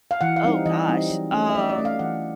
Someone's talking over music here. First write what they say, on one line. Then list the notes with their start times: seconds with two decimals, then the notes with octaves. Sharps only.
Oh gosh. Um.
0.11 F5
0.21 E3 F#5
0.36 F5
0.44 G3 C4 D#4
0.66 E3 D#5
0.88 G3 C4 D#4
1.10 F#3
1.32 A3 C#4
1.50 E5
1.55 F#3 D#5
1.69 D5
1.78 A3 C#4
1.85 F5
1.99 E3 F#5